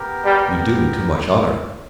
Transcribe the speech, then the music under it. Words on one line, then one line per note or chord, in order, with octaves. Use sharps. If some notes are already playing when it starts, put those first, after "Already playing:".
"You do me too much honour."
Already playing: B3 G4 A#4
G3